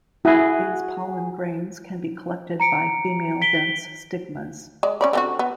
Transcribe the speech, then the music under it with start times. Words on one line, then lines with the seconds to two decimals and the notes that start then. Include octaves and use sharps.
These pollen grains can be collected by female dense stigmas.
0.25 E4 F#4 G#4
2.60 A#5 C#7 D7
3.42 B6 D7 G7
4.83 G#3 D5
5.01 C#4 D5 B5
5.13 D3 C4 F#4
5.39 B3